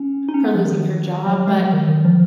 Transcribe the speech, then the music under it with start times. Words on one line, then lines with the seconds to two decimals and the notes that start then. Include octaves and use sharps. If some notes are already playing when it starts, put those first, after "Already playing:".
her losing her job, but,
Already playing: C#4
0.29 D#4
0.34 C#4
0.44 B3
0.55 F3
0.65 D#3
1.26 F#3
1.37 F#3
1.47 G#3
1.58 F#3
1.73 D#3
1.89 D#3
2.05 F3